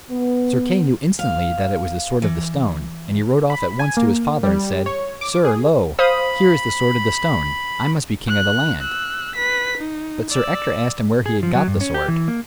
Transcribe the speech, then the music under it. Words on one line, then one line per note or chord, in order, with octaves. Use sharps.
Sir Kay knew instantly that it was the sword of the stone, and he rode off at once to his father and said, "Sir, lo, here is the sword of the stone; I must be king of the land." But Sir Ector asked him where he got the sword.
B3
F5
E3
B5
G#5
A#3
G3
C#5
D6
G#4
C5 F5 B5 D#6
F#6
E6 F#6
B4 B6
D#4
D5 E6
G#4
F3
F#3
G2
C#4
G4
E3
A#3